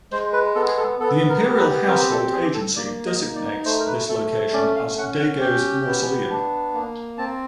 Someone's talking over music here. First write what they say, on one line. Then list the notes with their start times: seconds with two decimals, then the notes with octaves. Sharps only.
The Imperial Household Agency designates this location as Daigo's mausoleum.
0.12 G#3 C5
0.33 B4
0.55 B3 A4
0.67 G#4
0.77 A4
1.00 B3 A4
1.29 A#4
1.44 G4
1.50 A#4
1.58 B4
1.87 C4 A#4
2.11 A4
2.33 G#4
2.54 A4
2.76 A#3 D5
3.06 D#5
3.20 D#4
3.36 D5
3.65 A3 C5
3.80 A#4
3.87 B4
4.08 A3 A4
4.31 A4
4.53 C#4 D5
4.76 F5
4.97 C#4 F#5
5.19 F#5
5.41 G4 G5
5.86 B3
6.30 D4
6.74 A#3
7.18 C4 A5